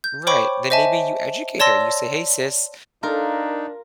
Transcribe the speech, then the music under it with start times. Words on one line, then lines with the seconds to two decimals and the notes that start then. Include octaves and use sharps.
Right, then maybe you educate her, you say, "Hey, sis"
0.04 G6
0.27 C5 C#5 G5 B5 C#6 D6
0.70 C5 D#5 E5 G#5 A5
1.60 C#5 D5 A5 C6 E6 A#6
3.03 D4 D#4 F4 A#4